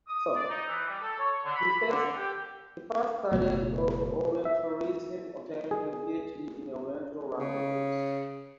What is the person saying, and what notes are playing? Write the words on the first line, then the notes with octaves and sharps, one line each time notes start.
So, he first studied Orientalism; obtaining a PhD in Oriental Languages.
D#6
D5
D#4
E3
G3
A4
C#5
D3
B5
D3
G4
F#1 B2 F#3 A3
E5
G#4
C#3